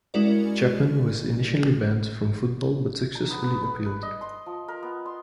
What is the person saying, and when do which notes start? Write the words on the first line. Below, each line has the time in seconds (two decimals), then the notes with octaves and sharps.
Chapman was initially banned from football but successfully appealed.
0.14 G#3 C#4 E4 F#4 A#4 D5
3.15 A#5
3.30 B3
3.44 B3
3.62 B5
3.86 B4
4.03 D#5
4.21 C6
4.46 F3
4.68 A#4
4.82 B3
5.06 C6